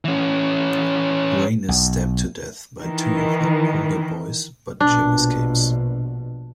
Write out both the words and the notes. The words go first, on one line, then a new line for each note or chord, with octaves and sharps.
Wayne is stabbed to death by two of the older boys, but Jim escapes.
E3 C#4
B1
D#3 E3
A#1 B2 D4